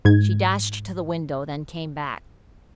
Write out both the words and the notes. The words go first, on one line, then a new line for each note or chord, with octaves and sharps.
She dashed to the window, then came back.
G#2 G#6